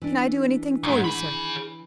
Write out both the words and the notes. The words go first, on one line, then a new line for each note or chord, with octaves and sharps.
"Can I do anything for you, sir?"
E3 D4
B1 G#2
G#4 B5